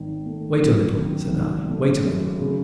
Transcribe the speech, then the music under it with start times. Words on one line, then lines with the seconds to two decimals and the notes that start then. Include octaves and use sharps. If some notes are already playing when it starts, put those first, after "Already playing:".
"Wait a little," said I, "wait a little."
Already playing: G#1 D#3
0.26 A3
0.61 F#2
0.96 D#3
1.33 G#1
1.68 A3
2.05 F#2
2.40 C#3